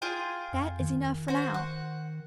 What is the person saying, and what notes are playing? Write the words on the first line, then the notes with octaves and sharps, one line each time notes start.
That is enough for now!
F4 G#4 G5
F2
D#3
F#4 C5
F#5